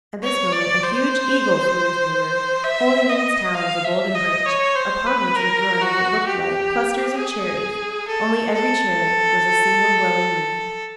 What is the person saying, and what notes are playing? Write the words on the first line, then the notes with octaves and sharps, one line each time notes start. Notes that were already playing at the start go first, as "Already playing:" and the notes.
At this moment a huge Eagle flew into the room, holding in its talons a Golden Branch, upon which were growing what looked like clusters of cherries, only every cherry was a single glowing ruby.
C#5
D5
C5
E5
D#5
F5
E5
D#5
C#5
C5
B4
A#4
F#4
G4
G#4
A4
A4